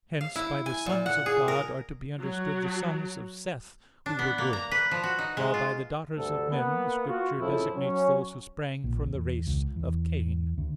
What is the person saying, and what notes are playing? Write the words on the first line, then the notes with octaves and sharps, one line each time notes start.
Hence by the sons of God are to be understood the sons of Seth, who were good; while by the daughters of men the Scripture designates those who sprang from the race of Cain.
F5
E4
G#5
A#2
F#5
G#4
A#4
F#3 F#4
D4
B3
A#3
A#5
B4
F3
F#4
D#4
G#3
F4
D2 G2 D3 A4
A#3 B3
F4 F#4
F2 A2 C#3 F3 E4
F#3 C#4
A#1
E2
C#2
E2
D2